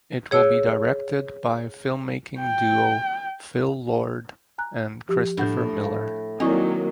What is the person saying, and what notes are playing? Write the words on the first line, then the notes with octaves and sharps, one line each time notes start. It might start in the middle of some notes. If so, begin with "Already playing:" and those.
It will be directed by filmmaking duo Phil Lord and Christopher Miller.
G#4 C#5 E6
G5
G#5 A#5 F#6
F3 G4
A2 D4 F#5 G6
F5
D#3 F#3 A#3 C4 D#4 E4 D5